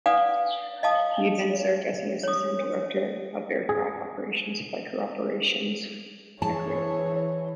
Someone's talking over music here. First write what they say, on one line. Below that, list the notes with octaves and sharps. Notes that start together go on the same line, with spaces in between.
He then served as the Assistant Director for Aircraft Operations, Flight Crew Operations Directorate.
B4 D5 F5 F#5 G#5 D#6
D#5 F5 A5 D#6
C#5 D#6
G#4
E3 G#4 C#5 A5